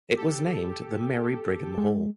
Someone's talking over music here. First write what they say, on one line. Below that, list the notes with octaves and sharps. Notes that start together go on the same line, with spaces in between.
It was named The Mary Brigham Hall.
G4 A4
G#3